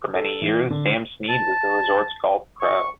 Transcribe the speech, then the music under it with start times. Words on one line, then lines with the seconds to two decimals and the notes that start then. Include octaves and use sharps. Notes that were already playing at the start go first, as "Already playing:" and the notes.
For many years, Sam Snead was the resort's golf pro.
0.13 A4
0.42 E3
0.70 D3
1.29 A5
2.61 C#6